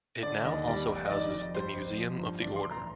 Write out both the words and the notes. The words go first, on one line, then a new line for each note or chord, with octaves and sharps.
It now also houses the Museum of the Order.
D3 D5
D#2 D#5
G3 D5
F1
D#5
D#3 D5
F2
G3 C5
F1
F3
G2
A1 D5
C6
A1
A#5